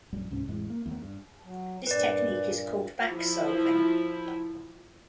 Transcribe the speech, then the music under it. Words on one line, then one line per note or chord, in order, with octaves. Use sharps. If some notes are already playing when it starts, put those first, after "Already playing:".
This technique is called backsolving.
A#1 F#2 G3
C#2 G#2 C3 C#4
A1 F2 A2 G#3
A#3
D#2 D#3 A3 B3
G2
F#3
G2 A#2 B4 D5
F3 E4